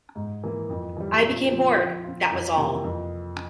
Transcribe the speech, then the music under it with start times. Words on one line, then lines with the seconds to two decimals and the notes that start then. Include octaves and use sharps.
I became bored — that was all.
0.15 G#2
0.43 E3 A#3
0.70 F2
0.97 E3 G3
1.23 A#2
1.50 F3 C4
1.77 F3
2.04 C4 F4
2.31 F2
2.57 C3 E3 A#3
2.84 F2